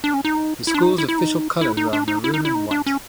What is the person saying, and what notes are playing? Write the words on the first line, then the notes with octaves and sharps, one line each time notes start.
The school's official colors are maroon and white.
D4
C#4
D#4
E4
D4
D#4
E4
E4
D#4
E4
D#4
D4
D#4
E4
D#4
E4
D#4
D4
C#4